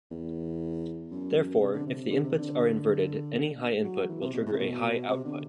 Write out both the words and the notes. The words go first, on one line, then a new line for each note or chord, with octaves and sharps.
Therefore, if the inputs are inverted, any high input will trigger a high output.
E2
F#2
C3
D3
C3
D3
C3
D3
F#3
E3
C3
B2
A2
C3
B2
C3
D3